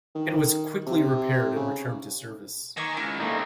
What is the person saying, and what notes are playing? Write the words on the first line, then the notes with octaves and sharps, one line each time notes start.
It was quickly repaired and returned to service.
D#3
C3
C#3
D#3 A#3 G#5 C#6
C#2 E4
G3 A3 A#3 C4 D#4